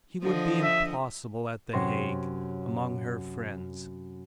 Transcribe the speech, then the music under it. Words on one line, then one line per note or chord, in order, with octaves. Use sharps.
He would be impossible at the Hague, among her friends.
D3 F3 D#5
E5
F#2 C3 C#5 C6 A#6